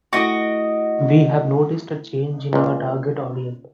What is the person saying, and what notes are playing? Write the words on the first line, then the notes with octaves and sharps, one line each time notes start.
We have noticed a change in our target audience.
A3 E4 F#4 D#5 D7
C#2 A#2